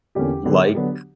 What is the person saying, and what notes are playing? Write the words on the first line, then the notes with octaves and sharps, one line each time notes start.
like f
E2 D3 A#3 C#4 G4
D3 F#3 B3
D3 F#3 B3 D4